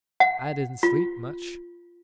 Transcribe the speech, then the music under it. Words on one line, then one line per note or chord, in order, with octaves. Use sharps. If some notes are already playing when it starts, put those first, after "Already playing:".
I didn't sleep much.
F#5
F4